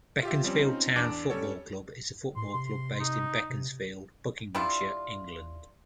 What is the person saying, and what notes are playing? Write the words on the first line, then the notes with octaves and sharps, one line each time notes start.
Beaconsfield Town Football Club is a football club based in Beaconsfield, Buckinghamshire, England.
F4 G4 E5
F3 G3 C4 C#4
C4 C#4 D#4 F4
E2 D4 A5 D6 D7
G3 C#4 A4 C#5
A2 C6
C3 C6
D#4
C3
G3 D4 E4 F4